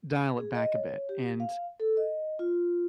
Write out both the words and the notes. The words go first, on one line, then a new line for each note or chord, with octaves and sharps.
dial it back a bit." And
G#4
D#5
C#5
G4
F5
A4
D#5
F4